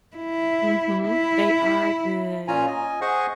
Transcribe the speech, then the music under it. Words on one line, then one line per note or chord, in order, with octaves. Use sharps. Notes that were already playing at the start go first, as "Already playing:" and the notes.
Mhm, they are good.
E4
E4
A#2 C#4 F4 G#5 A#5
D#5 G#5
G#4 C5 D#5 F#5 G#5 C#6